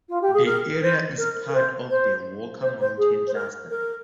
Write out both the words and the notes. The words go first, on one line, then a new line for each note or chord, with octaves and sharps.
The area is part of the "Walker Mountain Cluster".
F4
G4
G#4
A#4
A#4
C5
A#4
A#4
C5
C5
C5
C5
G#4
C5
A#4
A#4